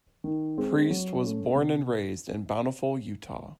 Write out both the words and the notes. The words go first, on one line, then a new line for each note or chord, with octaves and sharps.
Priest was born and raised in Bountiful, Utah.
D#3
G#3 C4
F#3
A3 C#4
C3